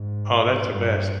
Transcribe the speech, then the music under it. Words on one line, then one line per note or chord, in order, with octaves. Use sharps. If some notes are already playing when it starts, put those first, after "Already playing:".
Oh, that's the best.
Already playing: G#2
G2